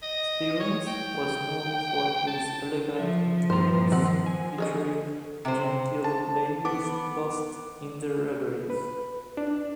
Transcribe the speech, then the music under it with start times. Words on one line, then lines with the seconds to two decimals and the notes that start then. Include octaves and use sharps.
Stevens was known for his "elegant interiors featuring genteel ladies lost in their reveries".
0.03 D#5
0.60 C#5
0.87 G5
2.27 A5
2.96 F3 A4 E5
3.50 G2 A#2 C4 C5 A#5
3.92 D#3 C4 F#5
4.26 G#5
4.58 G#4 C#5 D#5
5.45 C3 C5
6.04 A5
6.65 B3 D6
8.70 B4
9.37 D4